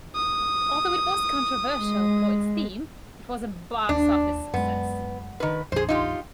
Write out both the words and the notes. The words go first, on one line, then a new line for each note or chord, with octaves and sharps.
Although it was controversial for its theme, it was a box-office success.
D#6
G#3
D#2 D4
F#2 G#3 B3
D#3 B4
A#1 F2 G#4 C5
D#4 F4 G4